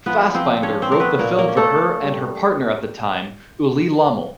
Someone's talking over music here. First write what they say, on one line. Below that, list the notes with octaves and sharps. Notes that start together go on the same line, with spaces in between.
Fassbinder wrote the film for her and her partner at the time, Ulli Lommel.
F3 B3 B4
F3 C4 C5
C#4 D4 C#5
C4 C5
A3 A#4
B3 B4
A#2 A#3 A#4
A#3 A#4
C#4
A3 A4
A#3
G3